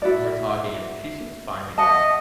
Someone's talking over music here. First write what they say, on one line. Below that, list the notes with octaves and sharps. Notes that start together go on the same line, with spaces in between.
and we're talking, and, eh, she seems fine again,
E4 F#4 D5
D#5 E5 F#5 A5